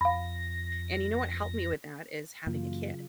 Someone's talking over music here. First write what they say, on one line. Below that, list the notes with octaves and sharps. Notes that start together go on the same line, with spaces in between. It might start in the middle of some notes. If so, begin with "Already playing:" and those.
and you know what helped me with that is having a kid.
F2 F5 B5 A#6
F#2 C#3 E3 F#3 A#3 F4